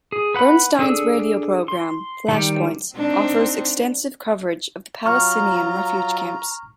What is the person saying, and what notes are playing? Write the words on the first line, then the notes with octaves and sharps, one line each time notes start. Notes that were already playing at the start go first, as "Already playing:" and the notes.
Bernstein's radio program, Flashpoints, offers extensive coverage of the Palestinian refugee camps.
G#4
B4 F#5 B5
D4 G#4 A4 E6
C6
D#3 G3
C4 D4 D#4
F#3 F4 A#5 C#6 F6